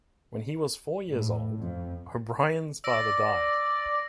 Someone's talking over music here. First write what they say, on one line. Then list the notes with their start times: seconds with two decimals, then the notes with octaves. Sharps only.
When he was four years old, O'Brien's father died.
1.10 A2
1.60 F2
2.84 D5 E6 A#6